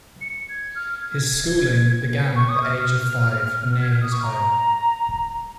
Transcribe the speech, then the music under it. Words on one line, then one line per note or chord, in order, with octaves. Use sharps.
His schooling began at the age of five, near his home.
C#7
G#6
F6
G#6
C#6
D#6
F6
G#6
F6
D#6
C#6
A#5